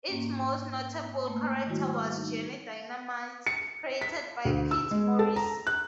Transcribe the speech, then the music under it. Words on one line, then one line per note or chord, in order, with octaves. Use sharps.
Its most notable character was Johnny Dynamite, created by Pete Morisi.
G#2 A#3 C#4
A3 A#3
D#3 G3 A3 E4 F#4
F6
D#4
C#7
B6
D2
E6
G#3
A4
A#5
F#6